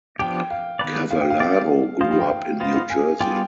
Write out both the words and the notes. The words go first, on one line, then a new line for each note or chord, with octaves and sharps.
Cavallaro grew up in New Jersey.
F3 B3 D4 G4 G5
F5
D#3 B3 D#4 B4 D5
F5
G5
F5
G3 C4 G4 D5
F3 B3 F4 C5 D#5 F5
F5
G5
F5
B3 F4 C5 D#5 F5
F5
G#5
G3 B3 F4 G#4 D5 G5